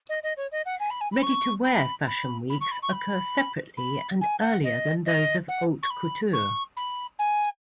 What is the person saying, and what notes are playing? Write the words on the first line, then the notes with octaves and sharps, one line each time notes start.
Ready-to-wear fashion weeks occur separately and earlier than those of "haute couture".
D#5
D#5
C#5
D#5
F#5
G#5
B5
G#5
B5
C#6
B5
B5
B5
C#6
B5
C#6
B5
B5
G#5
F#5
D#5
D#5
F#5
C#6
B5
C#6
B5
G#5